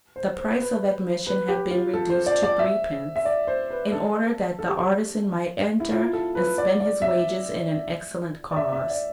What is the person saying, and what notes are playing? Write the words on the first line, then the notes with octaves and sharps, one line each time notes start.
The price of admission had been reduced to threepence, in order that the artisan might enter and spend his wages in an excellent cause.
C5
C5
B4
B4
G4
F4
A4
C5
D5
D5
E5
E5
D5
C5
B4
A4
A4
G4
A4
E4
F4
A4
B4
D5
D5
E5
D5
E5
E5
D5